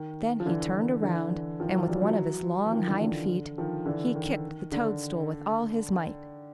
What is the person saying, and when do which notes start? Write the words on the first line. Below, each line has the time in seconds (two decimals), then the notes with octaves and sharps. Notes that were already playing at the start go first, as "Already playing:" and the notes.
Then he turned around, and with one of his long hind-feet, he kicked the toadstool with all his might.
Already playing: D#3
0.40 F3
0.46 D3 E3
1.03 D3 E3
1.60 D#3 F3
1.74 E3 F#3
1.88 F3 G3
2.02 E3 F#3
2.65 E3
2.72 D#3 F3
2.87 D3 E3
3.02 D3
3.58 D#3 F3
3.86 D3 E3
4.15 D#3
4.72 D3